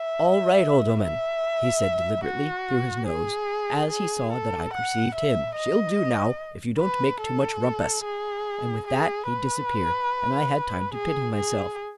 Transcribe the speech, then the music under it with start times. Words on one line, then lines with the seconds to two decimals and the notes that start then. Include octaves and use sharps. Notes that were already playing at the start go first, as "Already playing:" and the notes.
"All right, old 'ooman," he said deliberately through his nose, as he saw that I perceived him, "she'll do now, if you don't make too much rumpus." And with that he disappeared, and I had time to pity myself.
Already playing: E5
1.01 E5
2.25 F#4
3.08 G#4
3.91 G#4
4.32 A4
4.73 F#5
5.15 E5
5.57 D#5
6.80 B4
7.22 A4
8.05 G#4
8.87 G#4
9.29 B4
10.94 G#4
11.36 G#4